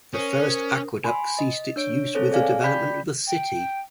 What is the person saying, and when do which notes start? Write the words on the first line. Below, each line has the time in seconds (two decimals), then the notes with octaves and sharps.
This first aqueduct ceased its use with the development of the city.
0.14 C#4 A#4 C5 D#6
1.04 G#5 B5 C6
1.39 D#5
1.76 D4 C#5 D7
2.14 C4 G#4 A4 C5 C#5
2.32 G#4 D5 F5 G#5 F6
2.64 D5 G5 B5 G6 B6
3.27 G5